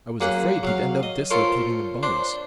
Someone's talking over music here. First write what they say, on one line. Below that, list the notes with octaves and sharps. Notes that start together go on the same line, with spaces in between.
I was afraid he'd end up dislocating the bones.
F#2 A#3 G#4 F#5
F#3 F5
D#5
F4 A4 A#4 C5 C#5
D4 C5